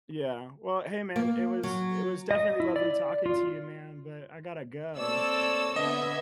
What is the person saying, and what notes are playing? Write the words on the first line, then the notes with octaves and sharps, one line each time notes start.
Yeah. Well, hey, man, it was it was definitely lovely talking to you, man, but I gotta go.
A#3
F#3
D#5
E4
D5
F4
A#3 C4 A4 C#5 D5 E6
D3 B3 D#5 E5 G#6